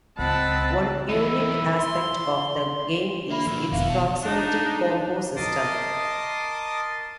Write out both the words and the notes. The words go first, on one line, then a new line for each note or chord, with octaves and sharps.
One unique aspect of the game is its proximity combo system.
C#2 C4 D#5 F#5 A5 B5
E3 D#4 E4
C6
A#3 E5 B5
B2 D3 F3 A#3
F1 D#2 B2 E3 B3 E5 F5
B2 A5
D4 D#4
A#4 D#5 A5 C6 D6 D#6